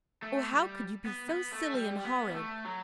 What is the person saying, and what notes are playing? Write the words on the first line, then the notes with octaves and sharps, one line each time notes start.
Oh, how could you be so silly and horrid?
A3
G3
B3
B3
A3
G3
B3
G3
A3
F#3